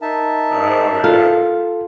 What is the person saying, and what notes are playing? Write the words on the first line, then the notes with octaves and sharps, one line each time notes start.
Oh, yeah.
D#4 A#4 E5 A5
F4 A4